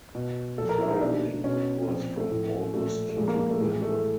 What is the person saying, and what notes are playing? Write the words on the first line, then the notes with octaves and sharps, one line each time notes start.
Flowering occurs from August to November.
B2
A#2 F3 A4
A#4
E4
D#4
B2 D4
B2 C#4
A#2 F3 C4
A3
A2 F3
A#2 F3 A3
A3
A#2 F3 G#3
A#3
A#3
A3
A2 E3 G#3
A3